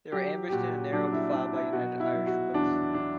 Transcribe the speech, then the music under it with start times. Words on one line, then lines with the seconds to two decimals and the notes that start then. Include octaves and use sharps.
They were ambushed in a narrow defile by United Irish rebels.
0.12 F#3 G4
0.49 G4
0.52 A#2 F#4
0.93 F#3 D4
1.13 E4
1.32 F#3 D4
1.53 E4
1.73 B2 F#4
2.00 E4
2.13 F#3
2.27 F#4
2.54 E2 D4
2.94 D4